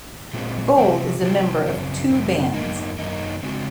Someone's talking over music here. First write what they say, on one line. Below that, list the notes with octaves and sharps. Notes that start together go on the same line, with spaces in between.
Gold is a member of two bands.
A#2 G#3 C4 F4
C3 F3 C4
C3 F3 C4
F#2 C#3 F3 C4
F#2 C#3 F3 C4
F#2 D#3 A#3 D#4
F#2 D#3 A#3 D#4
C#3 G#3 C4 F#4